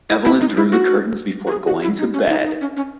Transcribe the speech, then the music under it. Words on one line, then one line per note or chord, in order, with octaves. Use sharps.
Evelyn drew the curtains before going to bed.
E4
E4
D#4
E4
F#4
F#4
G#4
F#4
E4
D#4
C#4
D#4
D#4
C#4
C#4